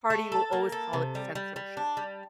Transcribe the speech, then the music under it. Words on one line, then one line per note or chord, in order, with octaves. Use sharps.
party will always call it censorship
A3
A4
A#3
A4
C3
G3
G3
G3
D4
G3